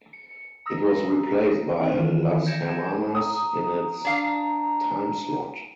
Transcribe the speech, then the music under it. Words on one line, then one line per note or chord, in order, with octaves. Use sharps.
It was replaced by "Las Hermanas" in its timeslot.
C#7
A#5 D#6 E6 A#6
C4 E4 F5 G5
D#3 E3 E4 F4
G6 G#6 A#6 C#7 D7 E7
A#5 D#6
D4 F5